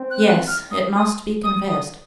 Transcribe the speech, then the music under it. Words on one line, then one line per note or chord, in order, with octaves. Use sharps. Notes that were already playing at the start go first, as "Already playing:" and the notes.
Yes, it must be confessed.
Already playing: C4
F#6
F#6
F6
D#6
D#6
D#6
D#6